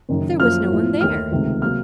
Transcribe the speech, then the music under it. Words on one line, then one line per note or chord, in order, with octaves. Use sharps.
There was no one there!
F#1 F#2 D#3
F#2 F3 A#3 F6
A1 A2 F3
D#2 D#3 A3 F6
C#2 C3 D#3 A3
C3 F#3 A#3 F6